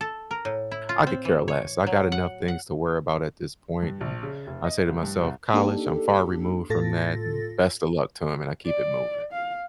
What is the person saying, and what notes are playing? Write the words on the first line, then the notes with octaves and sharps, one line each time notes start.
I could care less. I got enough things to worry about at this point, and I say to myself, "College, I'm far removed from that, and best of luck to 'em," and I keep it moving.
A4
A#4
A2
E4
F4
C4
E3
C#5
F#3
F#5
F#5
G2
A#1
C#3
F1
D#5
C2
G2
C2
A#3 D4 D#4 G4 A4
A2 F4 A4 A6 A#6
D5
F5